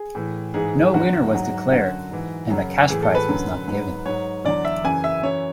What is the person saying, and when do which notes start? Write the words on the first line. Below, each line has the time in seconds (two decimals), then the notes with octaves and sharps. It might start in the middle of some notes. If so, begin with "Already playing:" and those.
No winner was declared, and the cash prize was not given.
Already playing: G#4
0.15 A2 E3
0.54 G#2 E3 G#4
0.94 E2 D3 F#3 F#4
1.33 G#2 F#3
1.72 F#2 D3 F#3 F#4
2.11 G#2 E3
2.50 F#2 C#3 F#3
2.88 A2 E3 G#4
3.02 A4
3.15 B4
3.29 F#2 D3 F#3
3.68 G#2 F#3
4.06 G#2 F#3 C#5
4.45 E2 D3 F#3 D5
4.65 E5
4.84 F#2 C#3 E3 G#5
5.04 E5
5.23 F#2 E3 C#5